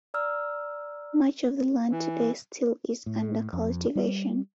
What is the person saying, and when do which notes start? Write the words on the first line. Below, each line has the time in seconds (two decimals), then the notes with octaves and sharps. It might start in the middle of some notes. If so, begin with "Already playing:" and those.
Much of the land today still is under cultivation.
0.14 D5 A#5 E6 F6
1.91 E3
3.06 A2
3.53 F2
3.95 G3